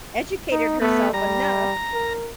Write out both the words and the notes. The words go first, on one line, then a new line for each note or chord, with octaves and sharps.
educated herself enough
D#4
A3 B3
G3 A#5
A#4